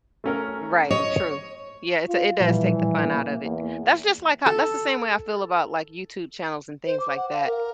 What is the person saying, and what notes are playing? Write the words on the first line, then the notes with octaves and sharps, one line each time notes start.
Right. True. Yeah, it's it does take the fun out of it. That's just like, uh that's the same way I feel about like YouTube channels and things like that.
A3 C#4 A#4
C#5 D#5
F4
A#2 E3 F3 G3
A#3
E2
A4
C5
D6
F#5
F5
A#4